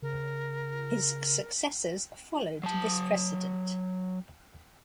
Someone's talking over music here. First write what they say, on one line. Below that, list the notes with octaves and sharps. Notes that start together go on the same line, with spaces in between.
His successors followed this precedent.
C#3 A#4
F#3 A5